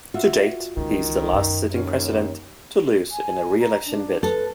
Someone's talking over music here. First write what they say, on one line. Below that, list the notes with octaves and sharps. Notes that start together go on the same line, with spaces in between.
To date, he is the last sitting president to lose in a re-election bid.
F4 F#4 E5
C#2 D#3 E3
F#2
D#2 C#4
G#5
A#5
D4
A4 B4